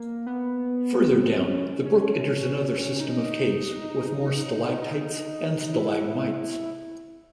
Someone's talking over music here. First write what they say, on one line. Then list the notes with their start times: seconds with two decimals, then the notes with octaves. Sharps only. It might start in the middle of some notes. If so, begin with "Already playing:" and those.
Further down, the brook enters another system of caves with more stalactites and stalagmites.
Already playing: A#3
0.27 B3
1.17 C4
1.40 C#4
1.85 C#4
3.00 D#4
4.82 D#4
5.73 E4